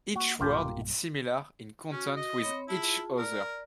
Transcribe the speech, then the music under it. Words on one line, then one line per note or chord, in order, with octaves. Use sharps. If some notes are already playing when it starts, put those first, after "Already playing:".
Each world is similar in content with each other.
A#3 F#4
B1 G2 A#2 A#3 F4 G4
C#4 F#4
D#5
C4 C#5 B5
E4 F4 G#4 A5
A#4 D5